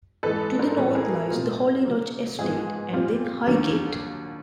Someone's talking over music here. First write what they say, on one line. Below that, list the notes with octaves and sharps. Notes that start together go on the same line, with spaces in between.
To the north lies the Holly Lodge Estate and then Highgate.
G#2 E3 G#3 A4 B4
A#4 C5
A2 E3 G3 B3 D#4 A4 B4
G#4 A#4
B2 F#3 A3 C4 F4
C#3 F#3 A#3
G#2 F3 G#3 B3 G#4
A#2 G3 C4 F4
D#2 D#3 F#3 A#3 D4